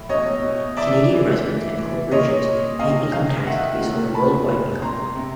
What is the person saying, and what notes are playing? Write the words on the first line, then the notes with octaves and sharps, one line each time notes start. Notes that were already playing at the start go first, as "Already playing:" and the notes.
Canadian residents and corporations pay income taxes based on their world-wide income.
Already playing: A2 E3
B2 C#5 D#5
B2
E3 D5 E5
E3
E3
E3
A#2 C#5 D#5
A#2
C3 D#5 F5
C3 D#5 F5
D#3 E5 F#5
C3
A#2 A5 B5
A#2
C3 A#5 C6
C3